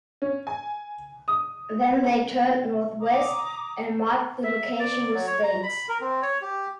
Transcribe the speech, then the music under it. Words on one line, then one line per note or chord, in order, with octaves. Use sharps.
Then they turned northwest and marked the location with stakes.
C#4
G#5
D#6
A#5 D6 D#6
E5
D5
F#3
C#5
A#5
B5
A#4
C4
C#5
G4